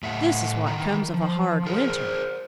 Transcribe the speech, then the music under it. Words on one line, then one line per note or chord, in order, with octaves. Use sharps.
"This is what comes of a hard winter."
A2 E5 F#5
D#3 E3 A#5
F3
G#4 A#4 C5